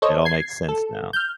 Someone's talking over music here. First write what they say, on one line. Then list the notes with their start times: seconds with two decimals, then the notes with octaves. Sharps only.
It all makes sense now.
0.02 A4 C5 C#5 D#5
0.25 G#6 C7
0.69 A4
1.13 F6 G6